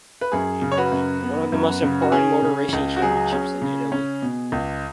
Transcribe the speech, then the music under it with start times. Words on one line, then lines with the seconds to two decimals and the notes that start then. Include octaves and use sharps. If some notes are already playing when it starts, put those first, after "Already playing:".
One of the most important motor racing championships in Italy.
0.21 B4
0.32 F#2 G#4
0.62 C#3
0.72 C#5
0.77 F#4 B4
0.92 F#2
1.23 B3
1.52 F#2
1.83 C#3
2.02 F#4
2.12 C#4 G#4
2.42 C#3
2.73 C#2
2.96 F#4
3.02 F#3 G#4
3.32 C#4
3.62 C#3
3.92 C#4
4.22 B2
4.52 C#2